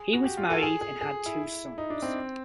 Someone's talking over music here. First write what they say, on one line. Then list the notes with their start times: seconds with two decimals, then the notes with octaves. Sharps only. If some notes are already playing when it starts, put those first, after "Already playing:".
He was married and had two sons.
Already playing: G#4
0.13 F#4
0.24 G4
0.37 F4
0.50 A4
0.63 G#4
0.81 G#4
1.01 G#4
1.26 E4
1.78 D#4
1.90 D4
2.02 C4